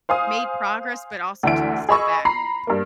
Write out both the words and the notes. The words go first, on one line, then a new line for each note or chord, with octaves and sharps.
made progress, but also took a step back.
C5 F5 G#5 D#6
D2 D3 E3 E5 D7
G#4 D#5 B5 C#6 E6
A#5 B5 C7
G2 A#3